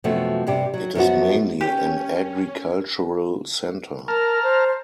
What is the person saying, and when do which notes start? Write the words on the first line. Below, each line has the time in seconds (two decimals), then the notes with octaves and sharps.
It is mainly an agricultural centre.
0.04 F#2 C3 F3 A3 B3 F#4
0.47 G2 C3 G4
0.74 F#3
0.95 F#2 F3 B3 F#4
1.61 C#4 G4
4.08 A#4 A5 A#5 F6
4.43 C5